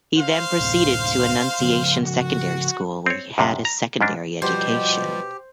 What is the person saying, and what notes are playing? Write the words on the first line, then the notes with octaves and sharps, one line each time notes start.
He then proceeded to Annunciation Secondary School where he had his Secondary education.
C5 F5
D2 A2 C3
C#3 F3
F#4
C4 C#5
F#2 C3
A#5
G#2 C#4 D4
B2 F3 G3 G4 C5